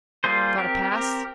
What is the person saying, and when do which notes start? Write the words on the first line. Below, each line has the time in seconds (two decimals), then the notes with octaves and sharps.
"Got a pass?"
0.24 G3 A#3 F4 G#4 C5
0.57 C4 G4 A#4
0.92 C4 G4 A#4